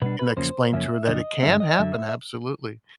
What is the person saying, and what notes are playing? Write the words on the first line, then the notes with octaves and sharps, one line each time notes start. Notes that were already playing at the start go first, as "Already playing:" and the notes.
and I explained to her that it can happen, absolutely,
B2 G3 B3 D4 B4
B4
E2 C#3 F3 A#3 C#4 C5
F#2 C#3 F3 A#3 C#4 E5
F2 C#3 F#3 D4 D#5
G2 D3 G3 C4 E5
D#5
F#2 D3 F#3 E5
E5